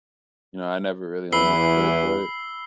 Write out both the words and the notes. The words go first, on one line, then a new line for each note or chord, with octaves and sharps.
You know, I never really understood, but
E2 E3 B5 E6 C7 G7